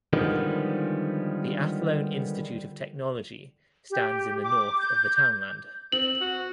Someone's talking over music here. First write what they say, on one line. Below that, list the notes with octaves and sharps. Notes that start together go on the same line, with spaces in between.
The Athlone Institute of Technology stands in the north of the townland.
D3 D#3 F3 G3 G#3 B3
G4
D6
G6
C4 F#7
F#4